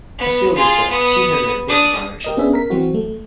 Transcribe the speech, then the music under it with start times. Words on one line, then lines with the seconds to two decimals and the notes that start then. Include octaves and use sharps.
As Fielding said, she's heading in a different direction.
0.18 B3
0.55 F4 G#4
0.90 B3 D#6
1.67 D4 D#6
2.24 G4 A#4 D#5
2.37 B3 C#4 D4 G#4 E5
2.53 A#4 B6
2.70 E3 F#3 C4 F#4
2.94 A3